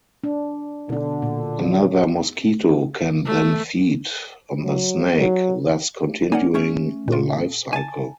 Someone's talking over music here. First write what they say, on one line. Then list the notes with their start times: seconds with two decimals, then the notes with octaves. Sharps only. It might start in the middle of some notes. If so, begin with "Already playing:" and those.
Another mosquito can then feed on the snake, thus continuing the lifecycle.
0.24 D4
0.89 B2 D3 D4
1.22 A#2
1.61 F#3
3.26 A3
4.62 F#3
5.19 F#3
6.32 A#3 D#4 C#5 D5 F#5 G#5
6.54 A3 C#4 E5
7.08 A#2 F4
7.73 G#5 A5